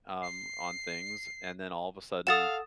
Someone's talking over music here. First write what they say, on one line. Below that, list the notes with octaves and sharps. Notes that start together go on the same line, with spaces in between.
um, on things, and then all of a sudden,
C7
A4 F5 F#5 D#6 A6 E7